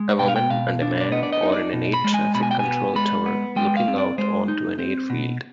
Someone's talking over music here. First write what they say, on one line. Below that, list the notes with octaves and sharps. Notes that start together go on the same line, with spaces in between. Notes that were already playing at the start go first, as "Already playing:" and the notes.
A woman and a man are in an airtraffic control tower looking out onto an airfield.
Already playing: G#3
B2 G5
F5
G5
B2 F5
D4
D5
B3 D#5
D5
D#5
D#4
D5
B2
B5
G#3
G#5
B2 B5
G#5
G5
G#5
B3
G#3 B5
B3
G#3 G5
F5
C4
D5
G#3 C5
D#4
C4
B2